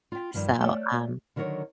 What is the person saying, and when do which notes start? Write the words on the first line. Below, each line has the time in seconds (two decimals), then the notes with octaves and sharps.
so, um,
0.12 F4 G5
0.34 G2 D#3 F3
0.60 A3 C#5 D5
1.36 D3 D#3 F#3 A#4 C#5